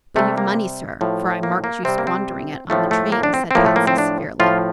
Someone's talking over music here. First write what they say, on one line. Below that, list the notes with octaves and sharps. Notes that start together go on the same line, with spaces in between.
"But you've money, sir, for I marked you squandering it on the train," said Patsy, severely.
C3 G3 A3
A#3
A2 F3
A#3
A#3
C3 G3 C4
A#3
C4
A2 F3 A3
A3
A#3
D4
C4
C4
A2 F3 A#3
A3
A#3
C4
D4
A2 F3 F4